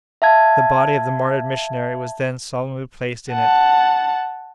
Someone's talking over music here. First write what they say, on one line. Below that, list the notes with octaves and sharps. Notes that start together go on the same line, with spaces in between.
The body of the martyred missionary was then solemnly placed in it.
E5 F5 A5 G#6
F#5 A5